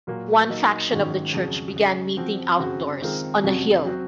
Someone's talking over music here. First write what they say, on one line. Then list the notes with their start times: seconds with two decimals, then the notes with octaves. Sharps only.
One faction of the church began meeting outdoors, on a hill.
0.07 A#2 F#3 A#3
0.49 F#3 A#3 D#4
0.91 G#2 D#3 F#3 C#4
1.33 F2 C#3 F#3
1.75 C#3 G#3 C#4
2.17 F3 C4 F#4
2.59 F#2 C#3 F#3 C4 F#4
3.01 D#3 G#3 C4 F4 A#4
3.42 F2 C3 F#3 C#4 F#4
3.86 F#3 C4 F#4